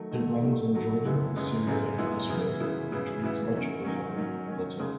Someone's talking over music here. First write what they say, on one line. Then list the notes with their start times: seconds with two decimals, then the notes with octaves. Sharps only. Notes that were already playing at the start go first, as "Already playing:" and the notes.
It runs in Jordan, Syria, and Israel and drains much of the Hauran plateau.
Already playing: D#3 F#3 A3
0.11 D#3 F#3 A3
0.42 D#3 F#3 A3
0.74 D#3 F#3 A3
1.05 F#2 C#3 G#3 B3 E4
1.36 F#2 C#3 G#3 B3 E4
1.67 F#2 C#3 G#3 B3 E4
1.98 F#2 C#3 G#3 B3 E4
2.29 C#3 E3 B3 E4
2.60 C#3 E3 B3 E4
2.92 C#3 E3 B3 E4
3.23 C#3 E3 B3 E4
3.54 D#3 F#3 C#4
3.85 D#3 F#3 C#4
4.16 D#3 F#3 C#4
4.47 D#3 F#3 C#4
4.80 C#3 G#3